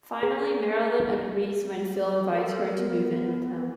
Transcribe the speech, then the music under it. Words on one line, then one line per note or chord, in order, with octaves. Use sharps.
Finally, Marilyn agrees when Phil invites her to move in with him.
G#4
A4 A#4
B3